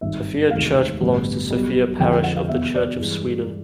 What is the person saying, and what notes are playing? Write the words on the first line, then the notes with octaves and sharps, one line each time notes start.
Sofia church belongs to Sofia parish of the Church of Sweden.
G#1 G2 D#3 E5
E1 D2 C3 D#3 G#3 F5
A1 G2 D3 G3 B3
B1 B2 G3
F2 D3 F3 G#3 C4 G5
G5
F#5
F5
E2 B2 G3 B3 E5
D5
G2 E3 G#3